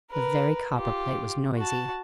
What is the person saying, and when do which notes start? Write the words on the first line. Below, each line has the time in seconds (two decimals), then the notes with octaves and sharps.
The very copperplate was noisy.
0.11 A#4 B4
0.75 F4 G4
1.58 F#4 A5